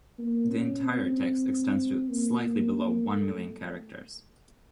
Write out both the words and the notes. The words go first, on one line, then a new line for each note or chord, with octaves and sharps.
The entire text extends to slightly below one million characters.
A#3
C#4
C4
A#3
A#3
A#3
A3